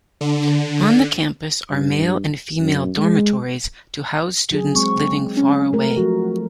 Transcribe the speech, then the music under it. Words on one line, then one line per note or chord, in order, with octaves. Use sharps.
On the campus are male and female dormitories to house students living far away.
D3
G2
F#2
G#3
F#3 G#4
G#3 C4 C#6
C#4
A3 A#4
F3 F#3 F#4